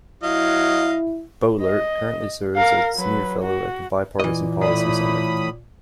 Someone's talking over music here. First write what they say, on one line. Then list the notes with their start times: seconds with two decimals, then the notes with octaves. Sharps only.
Boehlert currently serves as a Senior Fellow at the Bipartisan Policy Center.
0.23 F#3 E4 D#5 F5
1.62 D#5
2.56 A#4 F5
2.96 F#3 B4
3.42 F#4
4.20 A#2 E3 D#5
4.61 A2 D5 B5 D#6